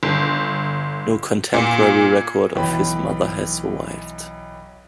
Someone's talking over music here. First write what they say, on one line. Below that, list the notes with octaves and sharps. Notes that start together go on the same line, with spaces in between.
No contemporary record of his mother has survived.
G1
A#2
B1 E3 G5 B5